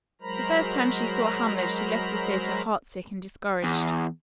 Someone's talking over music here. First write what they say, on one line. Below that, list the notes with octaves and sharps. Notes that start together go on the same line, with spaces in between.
The first time she saw "Hamlet" she left the theatre heartsick and discouraged.
F#3 G#3 A#4 C5 A#5 B5
E2